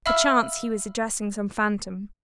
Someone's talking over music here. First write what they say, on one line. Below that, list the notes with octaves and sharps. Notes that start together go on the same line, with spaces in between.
Perchance he was addressing some phantom.
E5 F5 B5 E6 F6